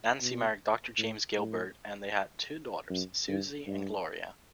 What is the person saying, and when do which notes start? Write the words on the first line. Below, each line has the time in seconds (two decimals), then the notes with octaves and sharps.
Nancy married Doctor James Gilbert and they had two daughters, Susie and Gloria.
0.21 B2
0.98 A2
1.37 A2
2.90 F#2
3.28 G2
3.67 G2